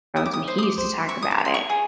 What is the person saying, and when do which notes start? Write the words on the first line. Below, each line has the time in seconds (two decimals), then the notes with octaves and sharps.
Thrones," and he used to talk about it.
0.16 E4 D#6
0.26 D6
0.33 D#6
0.48 C5
0.58 D#6
0.63 D6
0.78 C5
1.08 E4 C#6
1.22 D#6
1.31 D6
1.39 E4
1.45 C6
1.54 C#6
1.70 G#4